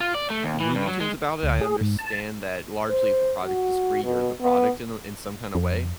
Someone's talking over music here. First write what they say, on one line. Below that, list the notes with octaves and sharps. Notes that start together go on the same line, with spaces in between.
Looney Tunes about it, I understand that largely if a product is free, you're the product in a in some kind of way.
F4
D5
A3
D#2
E3
G2
F#3
G#3
D2
G#4
G#2
A5
C5
F#4
B2
B3
F2